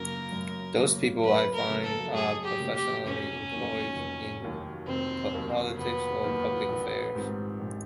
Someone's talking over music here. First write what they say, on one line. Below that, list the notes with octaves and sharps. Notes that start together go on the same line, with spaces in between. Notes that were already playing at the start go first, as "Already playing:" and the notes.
Those people, I find, are professionally employed in politics or public affairs.
Already playing: F#2 C#3 F#3 A#3 A#4
F#2
C#3 F#3 A#3
F#2 B4
A#4
C#3 F#3 A#3
A4
F#2 G#4
G4
C#3 F#3 A#3
G4
F1 C#4
D#2 D#3 F#3 A#3
F1
D#2 D#3 F#3 A#3
F1 C4
D#2 D#3 F#3 A#3
F1 B3
D#2 D#3 F#3 A#3
A#1
G#2 D#3 G3 C4
A#1